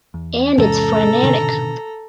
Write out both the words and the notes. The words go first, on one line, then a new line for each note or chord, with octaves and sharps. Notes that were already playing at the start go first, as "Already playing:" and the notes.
And it’s frenetic.
E2
E2 G#2 C3 G#3 C#4 A4 A#5
B2 D3 D#3